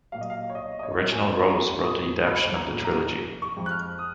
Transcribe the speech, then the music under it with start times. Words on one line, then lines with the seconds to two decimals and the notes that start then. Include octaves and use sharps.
Reginald Rose wrote the adaptation of the trilogy.
0.12 A#2 F#3 F5
0.21 D#5
0.30 F5
0.50 C#5
0.55 B1 D#5
0.79 D#5
0.83 C#5
0.98 A#2 F#3
1.12 G#5
1.41 B1 B5
1.50 A#5
1.59 B5
1.84 A#2 F#3 D#6
2.27 B1 B5
2.56 A#5
2.71 A#2 F#3
2.85 A#5
3.14 F1
3.42 C#6
3.56 F2 F3 G#3
3.66 F#6
3.71 F6
3.99 D#6